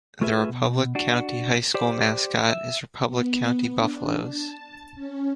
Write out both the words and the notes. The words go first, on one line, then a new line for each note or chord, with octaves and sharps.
The Republic County High School mascot is Republic County Buffaloes.
A3 F4 G#4 B4 E5
B2
D4 F#4
G4 C5 D5
E5
B3
D4
A5
C#4